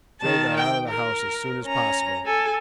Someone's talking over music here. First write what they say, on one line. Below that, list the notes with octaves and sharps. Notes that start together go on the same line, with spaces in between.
Joe got out of the house as soon as possible.
D#3 A5
G5
A#4
C#4 A#5
A4 G#5